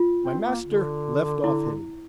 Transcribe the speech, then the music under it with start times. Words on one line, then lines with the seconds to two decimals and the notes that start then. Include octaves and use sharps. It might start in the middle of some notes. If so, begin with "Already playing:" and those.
My master left off hitting me.
Already playing: F4
0.24 C4
0.44 A#3
0.64 D3
1.44 E4